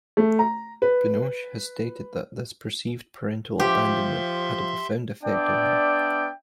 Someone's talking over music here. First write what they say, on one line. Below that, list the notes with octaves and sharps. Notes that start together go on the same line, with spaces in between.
Binoche has stated that this perceived parental abandonment had a profound effect on her.
A3
A#5
B4
F3 G4 E5 C6
B3 D4 D5 E5 G5